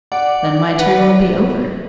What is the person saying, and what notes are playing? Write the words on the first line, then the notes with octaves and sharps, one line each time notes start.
Then my turn will be over.
D5 F#5
B4 F#5
D5